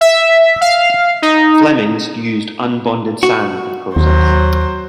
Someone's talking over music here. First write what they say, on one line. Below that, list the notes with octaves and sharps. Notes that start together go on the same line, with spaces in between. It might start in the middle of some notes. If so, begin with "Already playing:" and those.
Flemmings used unbonded sand for the process.
E5
F5
D#4
F#4
D#2 F#3 C5